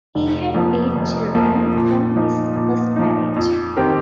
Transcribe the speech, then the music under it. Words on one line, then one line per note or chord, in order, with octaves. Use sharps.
He had eight children from his first marriage.
F1
F2 F3 A#3
F1
F2 F3 A#3
A#2
F3 D#4
A#2
F3 D#4
F2
D#3 C4 G4 A#4